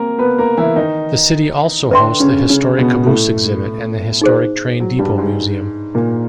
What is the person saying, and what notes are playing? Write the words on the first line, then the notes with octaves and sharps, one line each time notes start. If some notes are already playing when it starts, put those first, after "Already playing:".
The city also hosts the Historic Caboose exhibit and the Historic Train Depot museum.
Already playing: A#3 C4 A#4
B3 B4
A#3 A#4
E3 E4
D#3 D#4
D3 D4 B4 E5 G5 C6
C#3 C#4
C#3 C#4
B2 B3
A2 A3
D#4 G#4 C5
F#3
G2 G3
G#2 G#3
A#2 A#3